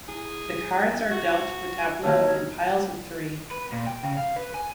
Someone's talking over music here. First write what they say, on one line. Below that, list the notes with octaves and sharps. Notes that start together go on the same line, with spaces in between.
The cards are dealt to the tableau in piles of three.
E4 G#4
F#4
D#2 F#3 C#5 A5 F6
B4
A#2
G5
C#3
F5
B4
G#5